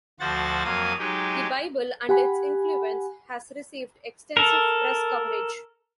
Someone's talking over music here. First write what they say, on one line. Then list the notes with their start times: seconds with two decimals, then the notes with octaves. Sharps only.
"The Bible and Its Influence" has received extensive press coverage.
0.20 D2 F3 F#4 C5 F#5 A6
0.65 F2 F#3 A#3 F5 D#6
0.99 F#3 G#3 D#4 G4
2.09 G4 F#5 G#5 B5
4.37 A4 A#4